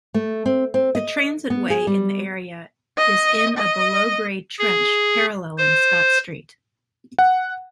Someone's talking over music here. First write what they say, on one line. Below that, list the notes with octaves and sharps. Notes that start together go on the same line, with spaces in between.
The transitway in the area is in a below-grade 'trench' parallelling Scott Street.
A3
C4
C4
D#5
B3
G#4
G3
D#5
D#5
G#4
C5
F#5